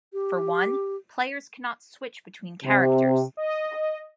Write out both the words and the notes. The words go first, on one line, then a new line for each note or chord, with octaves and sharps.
For one, players cannot switch between characters.
G4
C3
D#5